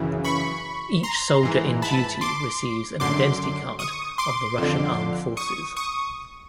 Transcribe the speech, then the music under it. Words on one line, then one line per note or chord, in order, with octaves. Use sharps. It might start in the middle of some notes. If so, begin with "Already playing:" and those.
Each soldier in duty receives an Identity Card of the Russian Armed Forces.
Already playing: F#2 C#3 E3
B5 C#6
A#5 C6
G#2 E3
A5 B5
C6 D6
F#2 D3 C6 D6
C#6 D#6
C6 D6
F2 D3
C#6 D#6
C#6 D#6